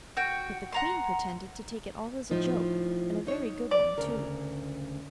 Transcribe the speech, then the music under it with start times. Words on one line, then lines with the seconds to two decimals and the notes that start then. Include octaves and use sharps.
But the queen pretended to take it all as a joke, and a very good one too.
0.17 F#4 G5
0.72 F#5 A#5 C6
2.31 A2 F3 D#4
3.27 D#4 C#5
3.71 D5
3.98 D2 C#3 A#4